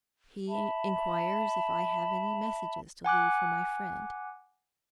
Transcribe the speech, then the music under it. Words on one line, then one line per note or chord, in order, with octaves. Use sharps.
He inquires if I have any messages to leave for my friend.
E5 A5 B5
F#5 G#5 D6 F#6